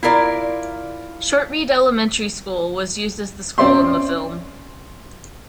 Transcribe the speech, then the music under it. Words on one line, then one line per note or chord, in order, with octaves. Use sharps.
Shortreed Elementary School was used as the school in the film.
E4 F4 A#4 D5
C4 C#4 C5 D5 E5 C6